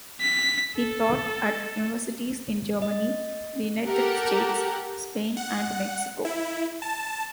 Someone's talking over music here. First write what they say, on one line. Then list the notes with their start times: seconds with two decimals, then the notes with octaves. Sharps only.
He taught at universities in Germany, the United States, Spain, and Mexico.
0.21 B6
0.77 A4
2.82 D#5
3.86 G4 A4 A#4 F#5
5.37 F#5
6.25 E4
6.82 A5